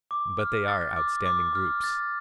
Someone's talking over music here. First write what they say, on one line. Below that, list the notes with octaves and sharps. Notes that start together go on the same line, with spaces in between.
But they are outstanding groups.
D6
F6
A6
D6
D6
F6
A6